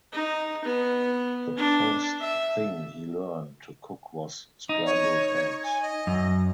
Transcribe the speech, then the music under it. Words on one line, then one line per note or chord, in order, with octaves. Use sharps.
The first thing he learned to cook was scrambled eggs.
D#4
B3
D4
E5
D#4
C#5
G#5
D#5
F#2